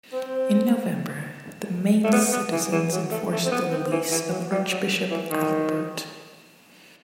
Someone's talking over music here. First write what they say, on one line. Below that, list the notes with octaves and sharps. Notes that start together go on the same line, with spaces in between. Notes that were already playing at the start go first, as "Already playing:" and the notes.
In November, the Mainz citizens enforced the release of Archbishop Adalbert.
C4
A3
B3
B3
E3
E3
F#3
A3
A3
C4
B3
C4
E3
E3
F#3
G3
F#3
E3
D#3